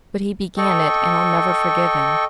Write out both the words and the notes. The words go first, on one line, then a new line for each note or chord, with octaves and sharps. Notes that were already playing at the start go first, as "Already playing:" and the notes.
But he began it, and I'll never forgive him.
A4 D#5 G5 C#6